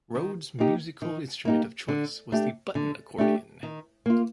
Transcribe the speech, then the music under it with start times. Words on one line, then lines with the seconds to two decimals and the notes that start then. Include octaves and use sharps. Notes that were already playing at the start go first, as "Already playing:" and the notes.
Rhodes musical instrument of choice was the button accordion.
0.15 D#3
0.59 A#3 D#4 G4
1.02 D#3
1.45 A#3 D#4 G4
1.88 D3
2.32 A3 D4 G4
2.75 D3
3.18 A3 D4 G4
3.63 D#3
4.06 A#3 F4